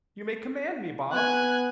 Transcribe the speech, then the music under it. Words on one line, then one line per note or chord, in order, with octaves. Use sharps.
You may command me, Bob.'
B3 G#5 F#6